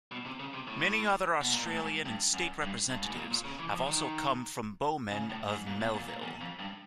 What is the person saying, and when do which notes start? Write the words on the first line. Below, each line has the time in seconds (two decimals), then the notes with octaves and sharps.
Many other Australian and State representatives have also come from Bowmen of Melville.
0.12 B2
0.26 C3
0.40 C#3
0.53 C3
0.68 A2
1.41 B2
1.53 A#2
1.66 A2
1.78 G#2
2.05 G2
2.34 F#2
2.62 G2
2.90 G2
3.02 G#2
3.10 B2
3.17 A#2
3.31 A#2
3.44 C#3
3.59 E3
3.73 F3
3.86 D#3
5.11 C#3
5.30 A2
5.48 G#2
5.67 A#2
5.81 B2
5.95 A#2
6.08 A#2
6.22 E2
6.41 F2
6.59 G2